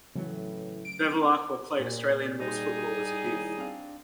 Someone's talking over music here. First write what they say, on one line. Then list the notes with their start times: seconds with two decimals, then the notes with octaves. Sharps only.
Bevilaqua played Australian rules football as a youth.
0.15 A2 C#3 E3 F#3 A3
0.85 D7
1.79 A#2 F#4
2.41 G3 D#4 G#4
3.24 D#2 E4 G4
3.57 C4 D4 F5